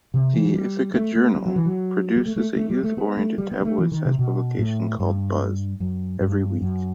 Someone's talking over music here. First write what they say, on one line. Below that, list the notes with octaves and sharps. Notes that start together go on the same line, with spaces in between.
"The Ithaca Journal" produces a youth-oriented tabloid-sized publication called "Buzz" every week.
C3
E3
F#3
G3
A3
A3
G3
F#3
E3
F#3
G3
A3
A3
A3
G3
A3
B3
A3
G3
B3
G3
A3
E3
D#3
C3
B2
A2
G2
F#2
G2
F#2